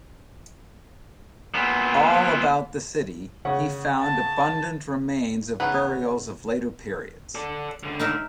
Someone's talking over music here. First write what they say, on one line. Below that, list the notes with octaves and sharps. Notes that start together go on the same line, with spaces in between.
All about the city he found abundant remains of burials of later periods.
A#2 B3
C#3 C#4 F#5
A5
C#3 E3 B3 D#4 B4 C#5 F#5
A4 D5
C#2 D3
D#4 A#4 E5